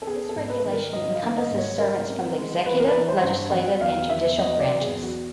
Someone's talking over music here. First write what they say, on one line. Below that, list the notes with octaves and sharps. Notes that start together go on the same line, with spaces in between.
This regulation encompasses servants from the executive, legislative and judicial branches.
A4
B3 G#4
A4
G#2
B4
D#3
A#4
G#2 D#5
F5
D#3
D#5
G#2
C#5
G#3 A#4
C4
G#3
E3 B4
A#4
B4
E3
C5
G2
F#3 F#5
E2 F5
E2 E5
F#3 D#5
D5
E2
G#4
E2
F#4